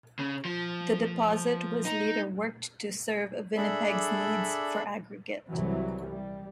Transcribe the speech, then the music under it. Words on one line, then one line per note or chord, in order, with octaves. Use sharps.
The deposit was later worked to serve Winnipeg's needs for aggregate.
C#3
F3
D#4
D4 G#4 A4 D5 E5 B5
C2 E3 F#3
G3